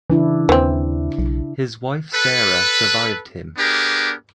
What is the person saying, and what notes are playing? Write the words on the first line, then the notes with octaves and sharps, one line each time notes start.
His wife Sarah survived him.
C#3 E3 D4 E4
D#2 E3 C4
B1
A4 B4
B3 D4 G4 G#4 A#4